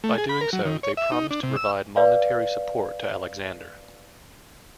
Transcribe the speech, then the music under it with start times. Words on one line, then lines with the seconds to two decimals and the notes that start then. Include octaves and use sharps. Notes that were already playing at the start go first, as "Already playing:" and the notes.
By doing so, they promised to provide monetary support to Alexander.
0.04 A3
0.18 G#4
0.29 B5
0.41 A#4
0.53 F#3
0.65 D#3
0.83 C#5
0.97 E5
1.12 D#4
1.31 D4
1.43 C3
1.56 E6
1.96 B4 D5 F5